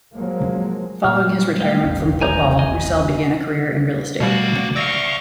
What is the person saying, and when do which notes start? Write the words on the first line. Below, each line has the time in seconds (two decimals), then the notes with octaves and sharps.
Following his retirement from football, Roussel began a career in real estate.
0.14 F3 F#3 G#3 A#3
1.04 A#2 A#3 F6
1.60 G3 A3 D#5 F5 G5
1.82 E1 A1 D#2
2.21 G#5 A#5 G6
2.59 D#5 G#5
4.20 B2 G3 A3 F#4 D5 F5
4.76 D5 E5 F5 C#6 E6 A#6